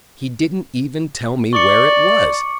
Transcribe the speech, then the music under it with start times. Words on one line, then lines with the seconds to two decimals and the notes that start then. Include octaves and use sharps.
He didn't even tell me where it was!
1.53 D5 C#6 D6 C#7